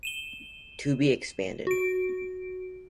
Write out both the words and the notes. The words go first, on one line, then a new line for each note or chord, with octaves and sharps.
"To be expanded".
D#7 E7 G7
F#4 D7